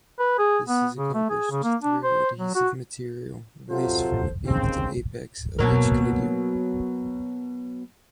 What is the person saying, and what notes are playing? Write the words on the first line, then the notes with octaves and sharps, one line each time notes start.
This is accomplished through adhesive material released from the beaked apex of each conidium.
B4
G#4
B3
C#3
A3
G#4
C#3
A#3
D4
C5
F#3
F#4
C3 F#3 F4 A4 C5
D#2 C#3 C4
B2 F#3 A#3